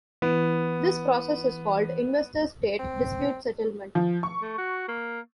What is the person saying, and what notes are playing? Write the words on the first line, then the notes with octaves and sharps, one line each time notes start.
This process is called investor-state dispute settlement.
E3 B3
C4
F3
C#6
A3
F#4
A#3